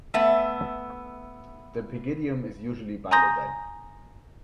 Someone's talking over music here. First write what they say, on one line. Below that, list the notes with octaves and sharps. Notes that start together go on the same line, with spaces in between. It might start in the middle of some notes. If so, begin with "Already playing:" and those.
The pygidium is usually bilobed.
A3 B3 E5
G#5 A#5 C6 D#6 G6 A#6